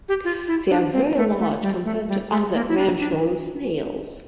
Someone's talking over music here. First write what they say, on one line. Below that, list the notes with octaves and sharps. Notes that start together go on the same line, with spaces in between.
They are very large compared to other Ramshorn snails.
G4
F4
E4
D4
C4
A3
A3
G3
A3
G3
A3
A#3
E4
D4
D4